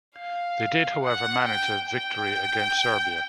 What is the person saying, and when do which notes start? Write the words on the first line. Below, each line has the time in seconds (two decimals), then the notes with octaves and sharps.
They did however manage a victory against Serbia.
0.17 F5
1.03 F#5
1.46 G5
1.90 G5